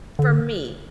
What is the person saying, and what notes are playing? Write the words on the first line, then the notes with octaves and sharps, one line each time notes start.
for me
D3